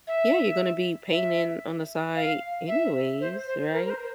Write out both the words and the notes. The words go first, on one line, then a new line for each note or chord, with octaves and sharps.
Yeah, you're gonna be painting on the side anyways, right?
E5
E5
F5
E5
C5
C5
A#4
A#4
C5